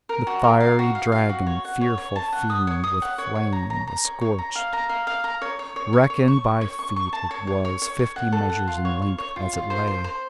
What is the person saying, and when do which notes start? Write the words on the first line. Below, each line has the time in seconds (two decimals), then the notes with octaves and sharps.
The fiery dragon, fearful fiend, with flame was scorched. Reckoned by feet, it was fifty measures in length as it lay.
0.09 A#4
0.27 F#4
0.44 A#4
0.60 F5
0.79 F#4
0.95 F5
1.12 F5
1.29 F#4
1.47 C#5
1.65 F#5
1.81 C#5
1.98 C#5
2.16 A5
2.33 F#5
2.50 D#6
2.67 C#5
2.84 D#6
3.02 F#5
3.18 C#5
3.35 C#5
3.52 A#5
3.70 A#5
3.87 A#5
4.05 C#5
4.21 C#5
4.39 A#5
4.55 F5
4.73 A#5
4.89 F5
5.07 F5
5.24 A#5
5.42 C#5
5.59 C#5
5.76 C#5
5.93 C#5
6.10 C#5
6.28 C#6
6.45 C#6
6.61 C#5
6.79 C#6
6.96 C#6
7.13 A5
7.31 C#5
7.47 C#5
7.65 C#5
7.82 C#5
7.99 C#5
8.16 F#5
8.32 A4
8.50 F#5
8.67 F4
8.85 C#5
9.02 C#5
9.18 C#5
9.36 F4
9.53 F4
9.70 C5
9.87 C5
10.04 C5